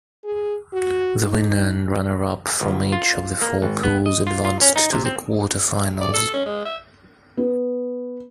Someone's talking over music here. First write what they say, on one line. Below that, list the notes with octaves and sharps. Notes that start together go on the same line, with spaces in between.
The winner and runner-up from each of the four pools advanced to the quarter-finals.
G#4
F#4
D#4
G1
F4
A#3
G#1
B3
D#5
F4
F4
C#4
D#4
C3
C4
D5
A4
C#4
G#3
E5
B3